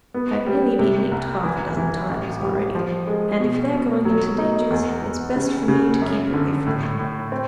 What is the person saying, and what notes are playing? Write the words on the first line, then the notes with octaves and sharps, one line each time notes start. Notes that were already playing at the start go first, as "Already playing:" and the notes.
"I've nearly been nicked half a dozen times, already, and if they're going into dangers it's best for me to keep away from them."
B3
G3
C3
C2
E3
E3
A1
G3
F3
G#3
B2
B2
F#3
D#4
E2
E2
C#3
C#3
F#2
D3
A2
A2
C4